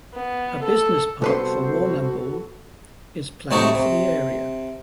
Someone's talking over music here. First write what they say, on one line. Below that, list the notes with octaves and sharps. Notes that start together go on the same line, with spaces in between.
A business park for Warrnambool is planned for the area.
B3
A4
C2 B3 F#4 A4 B4 C5 C6
A2 C3 A3 D#4 E4 F#4
C3